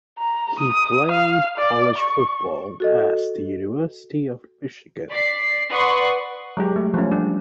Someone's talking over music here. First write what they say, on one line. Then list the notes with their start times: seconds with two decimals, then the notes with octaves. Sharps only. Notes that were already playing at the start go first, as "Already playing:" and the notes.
He played college football as the University of Michigan.
0.19 A#5
0.60 D#6
1.12 F5
1.58 D5
1.98 C#6
2.80 F#4 A4 D#5
5.09 D5 B6 C7
5.69 B4 D5 F#5 C6 C#6 D#6
6.57 F#3 G#3 G4
6.76 A3
6.94 F3 F#3 A3 C#4
7.11 G3 D4